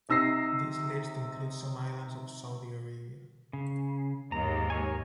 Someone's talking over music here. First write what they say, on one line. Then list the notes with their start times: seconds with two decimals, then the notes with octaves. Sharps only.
This list includes some islands of Saudi Arabia.
0.09 C3 D#4 E6 A#6 C7
3.53 C#3
4.32 D#2 G#2 A#5
4.70 A#4 C#5 G#5